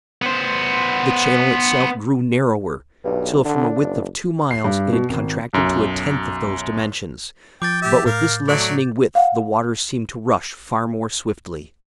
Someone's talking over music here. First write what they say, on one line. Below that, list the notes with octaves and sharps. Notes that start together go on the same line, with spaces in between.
The channel itself grew narrower, till from a width of two miles it had contracted to a tenth of those dimensions; but with this lessening width the waters seemed to rush far more swiftly.
B3 C5
B1 G2
D3 D4
F#1
C7
G2
B2
G#1
B1 F#2
F3 G5 D6 G6 A6
G4 E5
A2 A#4 F5
F#3 A3 D5
F5 F#5